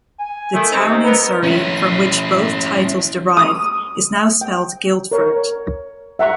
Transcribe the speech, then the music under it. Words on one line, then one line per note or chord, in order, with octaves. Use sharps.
The town in Surrey from which both titles derive is now spelt "Guildford".
G#5
D#3 A3
C3 D#3 C4
D#4
B3 A#4 B4
C#4 E4
D#6
G5
A#4 C#5
E5 F#5 A#5 C#6